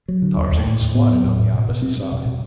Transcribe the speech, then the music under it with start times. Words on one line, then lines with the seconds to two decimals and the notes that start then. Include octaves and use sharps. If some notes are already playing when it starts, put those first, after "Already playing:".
Tarzan squatted on the opposite side.
0.08 F#3
0.22 D3
0.37 D#2
0.52 D#2
0.67 A2
0.81 A2
0.95 B3
1.09 F#3
1.24 A2
1.39 A2
1.54 B2
1.68 B2
1.82 C4
1.97 G3
2.12 B2
2.26 B2